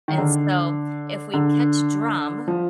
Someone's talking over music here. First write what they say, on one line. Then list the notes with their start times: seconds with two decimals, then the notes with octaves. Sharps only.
and so, if we catch drum
0.08 D#3
0.18 D3
1.34 D3
2.48 F3